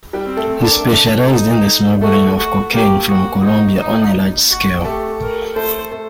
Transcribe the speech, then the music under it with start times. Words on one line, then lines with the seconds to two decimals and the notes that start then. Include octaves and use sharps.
He specialized in the smuggling of cocaine from Colombia on a large scale.
0.13 G3 G4
0.25 C4
0.37 A3 A4
0.60 D4 A4
0.69 A#4
0.79 A3 A4
1.32 D#4
2.01 A3 F#4 A4
2.38 F#4
2.73 A#3 G4 A#4
3.08 F#4
3.43 D#4
3.79 D#4
4.50 F#4
4.85 A3 G4 A4
5.21 A#4
5.55 A3 A4 C5
5.91 A3 A4